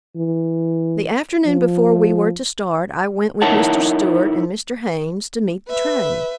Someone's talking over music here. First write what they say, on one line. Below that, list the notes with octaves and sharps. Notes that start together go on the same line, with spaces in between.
The afternoon before we were to start I went with Mr. Stewart and Mr. Haynes to meet the train.
E3
F3
D#4 E4 A#4 C#5 F#5 A5
B4 E5